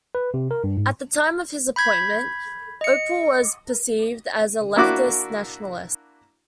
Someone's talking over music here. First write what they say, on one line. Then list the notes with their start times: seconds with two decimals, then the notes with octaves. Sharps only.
At the time of his appointment, Ople was perceived as a "leftist Nationalist".
0.15 B4
0.34 C3
0.51 A#4
0.64 G2
0.77 G#2
1.76 B5 G6 G#6 B6
2.81 D#5 C#7
4.76 A#3 D4 E4 F#4 D6 F#6